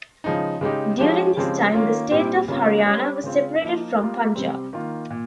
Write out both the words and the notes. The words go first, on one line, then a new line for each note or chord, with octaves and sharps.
During this time, the state of Haryana was separated from Punjab.
C#3 F3 G#3 D#4
C#3 G#3 D#4 G4
F3 G#3 C#4 G4
C#3 F3 G#3 C4 G4
D#3 A#3 C#4 F4
A#2 G3 C4 G4
C#3 G3 A#3 C#4 F4
G3 C#4 G4
C#3 G#3 C4 F4
F3 A#3 D#4
G3 A#3 F4
C3 G3 C4
D#3 A#3 F4
A#2